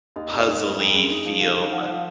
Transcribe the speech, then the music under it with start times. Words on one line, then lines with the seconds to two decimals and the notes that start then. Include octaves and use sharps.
puzzle-y feel but,
0.16 D#2 D#5
0.32 F1
0.47 G#2 D#5
0.63 C4 A#4
0.79 F2
0.94 F#1 G#4
1.10 D#4 G#4
1.25 F3
1.41 D#3 F5
1.57 D#3
1.73 F3 F#5
1.88 F3 F5